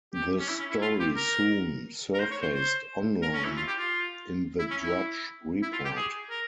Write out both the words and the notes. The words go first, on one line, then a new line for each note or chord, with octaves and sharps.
The story soon surfaced online in the Drudge Report.
G4
C#4
E4
C#4
E4
F4
G4
A#4
A#4
C5
C#5
C5
C5
A#4
C#4
E4
F4
G4
F4
E4
C#4
E4
E4
F4
G4
G#4
A#4